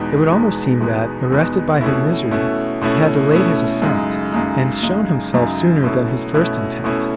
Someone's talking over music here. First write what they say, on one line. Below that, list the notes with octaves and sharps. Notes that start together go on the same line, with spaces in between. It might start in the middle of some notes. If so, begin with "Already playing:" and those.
It would almost seem that, arrested by her misery, he had delayed his ascent, and shown himself sooner than his first intent.
Already playing: E2 B2 G#3 B3 D#4
E2 B2 G#3 B3 D#4
E2 B2 G#3 B3 D#4
E2 B2 G#3 B3 D#4
B2 A3 C#4 E4
B2 A3 C#4 E4
B2 A3 C#4 E4
B2 A3 C#4 E4
F#2 C#3 G#3 D#4
F#2 C#3 G#3 D#4
F#2 C#3 G#3 D#4
F#2 C#3 G#3 D#4
B2 A3 C#4 E4
B2 A3 C#4 E4
B2 A3 C#4 E4